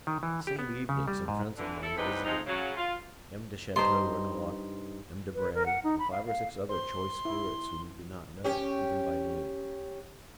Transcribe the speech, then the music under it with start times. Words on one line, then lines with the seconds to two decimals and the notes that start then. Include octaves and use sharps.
The same evening some friends of mine visited me,--M. de Chateau-Renaud, M. Debray, and five or six other choice spirits, whom you do not know, even by name.
0.07 D#3
0.23 E3
0.47 G4
0.59 B3
0.89 C#3
1.08 G3
1.28 G#2
1.57 D3 E3
1.82 E4 A4
1.96 E2 G#2 C3 G3 D#4 B4
2.24 F2 G#2 C3 D#4
2.46 C#3 F#3
2.77 F4
3.76 G2 D#4 C5 C6
5.34 B4
5.55 A#4
5.66 F#5
5.84 D#4
5.99 B5
6.11 F5
6.25 F5
6.69 C5 C6
7.25 E4
8.44 C#4 G4